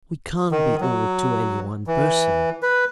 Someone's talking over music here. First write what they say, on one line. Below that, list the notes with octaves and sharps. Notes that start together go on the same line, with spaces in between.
We can't be all to any one person.
D#3
F#3
E3
B4